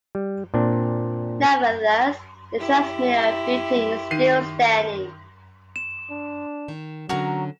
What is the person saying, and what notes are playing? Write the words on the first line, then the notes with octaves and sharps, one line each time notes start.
Nevertheless, the transmitter building is still standing.
G3
A#2 C4 D4
E4 G4
D#3 C7 D#7
E7
D4
D#3
D3 F#3 C#4 F#4 A#4 A#5